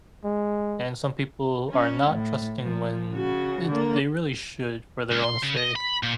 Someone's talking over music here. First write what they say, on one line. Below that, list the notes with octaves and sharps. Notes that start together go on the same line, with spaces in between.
and some people are not trusting when it they really should for their own sake.
G#3
C#4
A2
F3
C#3 F#4
D3 A#3
C#2
C6
C#3
D#5
B5
A#2